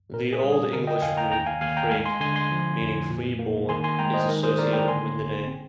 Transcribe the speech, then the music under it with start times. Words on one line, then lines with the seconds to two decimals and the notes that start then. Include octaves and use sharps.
The Old English root "frig", meaning "free born", is associated with the name.
0.13 A#2 A#4
0.33 G#4
0.43 G3
0.52 G#4
0.72 D3 A#4
0.87 D#5 G5
1.02 F2 F5 G#5
1.17 G5 A#5
1.32 D#2 G5 A#5
1.46 F5 G#5
1.61 D#2 F5 G#5
1.77 G5 A#5
1.91 G#3 F5 G#5
2.06 G#5 C6
2.20 D3 G#5 C6
2.36 G#5 C6
2.51 F3
2.81 F2
3.10 A#2
3.39 A#3
3.69 D#3 G#5 C6
3.84 G#5 C6
3.99 G#3 G5 A#5
4.13 C5 D#5
4.28 D#3 A#4
4.43 G#4 C5
4.58 A#3 A#4 D5
4.73 G5 A#5
4.88 D3 G#5 C6
5.17 G1
5.47 C4